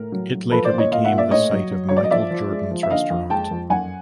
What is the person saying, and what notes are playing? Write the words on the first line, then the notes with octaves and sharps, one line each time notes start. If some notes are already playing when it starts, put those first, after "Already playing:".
It later became the site of Michael Jordan's Restaurant.
Already playing: A2 A#4
F#3
F#3
F3 A4 B4
C5 D5
A#2
C#5 D#5
A#2 D#5 F5
E5 F#5
A#2
D5 E5
A2 C#5 D#5
F#3
F#3
F#3 C#5
D5
D#5
F3 D5 E5
F3
G#3
F3
E5
D3 D#5 F5
F2
G#3 G5 A5
F2
F#2 F#5 G#5